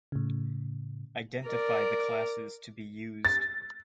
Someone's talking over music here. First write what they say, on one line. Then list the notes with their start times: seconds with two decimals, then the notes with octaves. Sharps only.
Identify the classes to be used.
0.12 A2 C#3
1.44 A#4 D5
3.25 A6